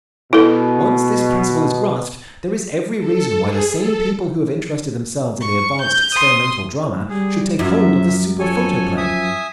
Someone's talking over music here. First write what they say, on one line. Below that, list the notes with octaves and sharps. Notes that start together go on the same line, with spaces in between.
Once this principle is grasped there is every reason why the same people who have interested themselves in the advanced experimental drama should take hold of the super-photoplay.
B2 E4 A4
A4
G#4
A4
C#6
G6
C6 D#6
G3 G#4
F#2 F3 E5
F3 A4 C#5 G#5
E5 G#5 D#6